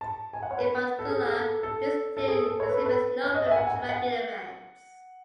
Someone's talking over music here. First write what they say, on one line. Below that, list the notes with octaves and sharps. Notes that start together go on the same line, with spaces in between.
In particular, this theory exhibits no frame-dragging effects.
A5
G#5
F#5
C#5
B4
A4
G#4
G#4
A4
A4
A4
G#4
A4
C#5
B4
A4
B4
C#5
D#5
E5
G#5
F#5
G#5
G#5
F#5